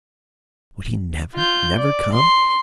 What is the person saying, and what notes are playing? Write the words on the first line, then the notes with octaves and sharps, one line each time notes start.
Would he never, never come?
F4 G6
D5
C6